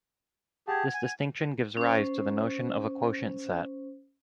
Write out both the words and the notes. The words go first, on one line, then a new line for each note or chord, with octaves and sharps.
This distinction gives rise to the notion of a quotient set.
G4 G#4 F#5 A5 G#6
G#5
C#4 C5